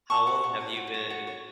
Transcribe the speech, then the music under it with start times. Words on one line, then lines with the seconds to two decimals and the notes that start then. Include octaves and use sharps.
How long have you been
0.10 F#4 A5 C#6
0.27 F#4
0.44 F#4
0.61 C#5
0.77 F#4
0.94 C#5
1.10 F#4
1.27 C#5